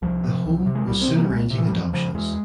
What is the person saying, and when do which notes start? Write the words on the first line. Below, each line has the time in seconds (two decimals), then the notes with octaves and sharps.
The home was soon arranging adoptions.
0.02 C2 F3
0.24 C3
0.45 C2
0.66 C3
0.75 G#3
0.87 C2 G3
1.01 C4
1.08 C3
1.16 A#3
1.23 G3
1.30 C2 G#3
1.50 C3
1.58 E3
1.68 G3
1.72 E2 F3
1.93 C#3 F3
2.14 E2 G#3